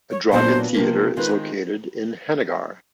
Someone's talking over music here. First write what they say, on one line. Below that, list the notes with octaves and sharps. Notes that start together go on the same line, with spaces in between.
A drive-in theater is located in Henagar.
C#5
A#2 F#3 B3 D4 C5
C3 F3 A#3
D#3 G#3 C4 F4 B4